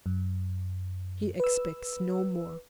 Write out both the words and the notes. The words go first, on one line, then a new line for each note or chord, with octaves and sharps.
"He expects no more."
F#2
B4 E6